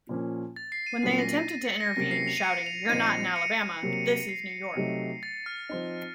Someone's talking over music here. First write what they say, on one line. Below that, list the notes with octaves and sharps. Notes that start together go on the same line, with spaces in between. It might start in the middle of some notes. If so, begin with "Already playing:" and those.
When they attempted to intervene, shouting, You're not in Alabama...this is New York!
A#2 F3 A#3 C#4
A6
C7
D#7
A#2 F#3 A#3 C#4 C7
A#6
C7
D#7
C#7
A#6
C3 F#3 A#3 C#4 A#6
C7
F7
D#7
C#7
F7
A#2 F3 C4 D#4 D#7
C#7
C3 F#3 A#3
C7
C3 F#3 A3 D#4
A6
F6
F3 C4 D#4